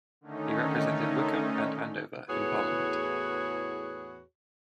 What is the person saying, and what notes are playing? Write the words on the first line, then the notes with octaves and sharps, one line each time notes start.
He represented Wycombe and Andover in Parliament.
D3 D#3 A3 C#4 D#4
E2 A2 F#4 G#4 B4 C#5